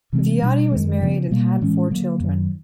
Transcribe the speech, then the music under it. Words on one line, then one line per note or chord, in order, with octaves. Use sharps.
Viotti was married and had four children.
C3 E3 G#3 C4
B2 G3 A#3 D4
F#2 D#3 G#3
C#3 F3 G#3 B3
B2 G3 A#3
A2 E3 G#3 C#4
D3 F#3 A#3
F#2 D#3 F#3